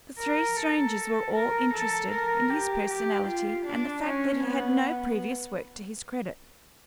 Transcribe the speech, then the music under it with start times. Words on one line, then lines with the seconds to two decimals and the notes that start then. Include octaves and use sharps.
The three strangers were all interested in his personality and the fact that he had no previous work to his credit.
0.19 A#4
0.57 A4
1.34 A#4
1.73 A4
2.12 A#4
2.50 G4
2.89 G4
3.27 F4
3.66 D4
4.04 C#4
4.44 B3